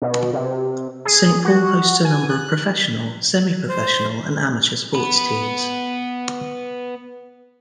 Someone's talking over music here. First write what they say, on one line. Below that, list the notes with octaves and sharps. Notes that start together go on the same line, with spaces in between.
Saint Paul hosts a number of professional, semi-professional, and amateur sports teams.
B2
C3
G#4
F#4
G#5
F#6
C5
B3 B5